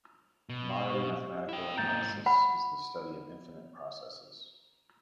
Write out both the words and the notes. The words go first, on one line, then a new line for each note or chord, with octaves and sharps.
Modern mathematical analysis is the study of infinite processes.
B2
G4 C5 C#6
E4 G5
G#2 A#3 A#5 G6 A6
F#5 B5